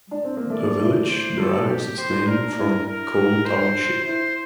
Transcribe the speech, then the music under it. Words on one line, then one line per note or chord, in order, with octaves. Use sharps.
The village derives its name from Coal Township.
D4
C4
A#3
A3 D5
E4
C5
A4
G4
C5
D4 A#4
D4
E4
A#4
C5
E4 C5